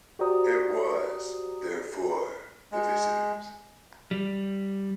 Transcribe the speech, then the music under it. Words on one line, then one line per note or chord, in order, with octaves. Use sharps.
It was, therefore, the visitor's.
F#4 G4 C5 D5 A#5 D#6
G#3
G3